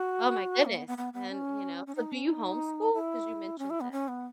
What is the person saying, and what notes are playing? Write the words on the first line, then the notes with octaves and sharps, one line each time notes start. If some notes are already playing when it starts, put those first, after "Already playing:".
Oh my goodness, and, you know? So, do you homeschool? 'Cause you mentioned that.
Already playing: F#4
A#3
B3
B3
B3
B3
C#4
C#4
D#4
C#4
D#4
E4
C#4
E4
B3
C#4
B3